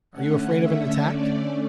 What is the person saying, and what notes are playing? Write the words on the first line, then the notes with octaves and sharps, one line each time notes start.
Are you afraid of an attack?
D3 A3 C#4 F#5
E5
D5